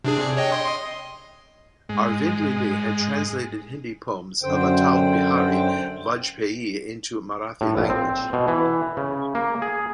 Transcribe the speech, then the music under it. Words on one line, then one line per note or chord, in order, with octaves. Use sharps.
Arvind Lele had translated Hindi poems of Atal Bihari Vajpayee into Marathi language.
C3 D4 G#4
C#5 D#5 G5
D#5 C6
G#2 G#3
F#2 D3 C5 G5
A2
A#1
C4
B2
E3
C#3
A#3
G#4